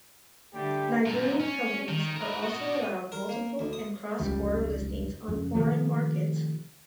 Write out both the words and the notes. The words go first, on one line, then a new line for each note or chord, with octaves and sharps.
Nigerian companies are also allowed multiple and cross border listings on foreign markets.
D3 G3 A3 G4
F#2 A#2
C#4
D#3
A#4 B4
F#4 D#5
A#4
A#3
D2
D#6
F1 C#2 G3
F2 C#3
C3 D#3 F3 A3